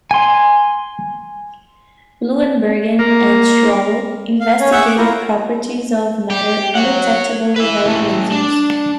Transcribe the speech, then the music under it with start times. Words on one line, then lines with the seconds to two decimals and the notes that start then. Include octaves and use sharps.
Bloembergen and Schawlow investigated properties of matter undetectable without lasers.
0.11 G#5 C6
2.99 A#3
4.41 F5
4.60 C#4 C#5
4.72 G#4 E5 F#5 C#6 E6 G6
4.86 D6
4.98 E4 F4 A#5
6.30 G4
6.75 C#5 F#5
7.56 B4 E5
7.86 E3 A3
8.32 D4